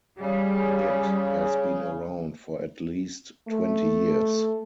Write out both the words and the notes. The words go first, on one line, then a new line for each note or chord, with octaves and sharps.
It has been around for at least twenty years.
C#3 G3
A3